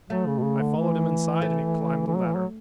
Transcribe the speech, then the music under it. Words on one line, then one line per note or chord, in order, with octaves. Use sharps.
I followed him inside and he climbed the ladder.
F#3 A3
C#3
B2
C#3
D3
E3
A3
E3
F#3
E3
F#3